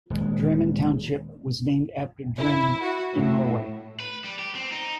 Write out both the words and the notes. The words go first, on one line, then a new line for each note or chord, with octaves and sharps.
Drammen Township was named after Drammen, in Norway.
D#1 G#3
E4
F#4
A2
B4
G3
G4
C4
D#4